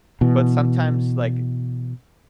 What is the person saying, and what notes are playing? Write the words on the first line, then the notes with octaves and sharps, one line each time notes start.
but sometimes, like,
B2 E3